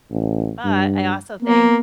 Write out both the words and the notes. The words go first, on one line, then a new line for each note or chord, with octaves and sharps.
but, I also think
A1
G2
A#3 B3